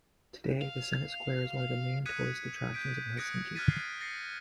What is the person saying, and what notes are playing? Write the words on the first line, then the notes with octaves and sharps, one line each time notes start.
Today, the Senate Square is one of the main tourist attractions of Helsinki.
F5
D#6 F#6 G#6 B6 C#7 D#7
G6 B6 D7
D#6 F#6 G#6 A#6 C#7 D7
F6 F#6 G#6 A6 B6 D#7
C7
A6 A#6 C7 C#7